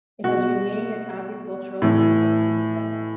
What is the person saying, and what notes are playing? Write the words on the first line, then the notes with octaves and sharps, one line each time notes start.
It has remained an agricultural center since then.
B2 F#4
A2 E3